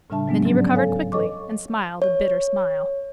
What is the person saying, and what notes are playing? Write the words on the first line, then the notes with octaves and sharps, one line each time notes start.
Then he recovered quickly and smiled a bitter smile.
A2 C#3 G3 D4 E5 A5
F#3 G#3 B3 D4
G#2 F3 F#3 C#4
D5
A4 C#5 F5 G#5
A4 C#5 D#5 C#6 D6
C#5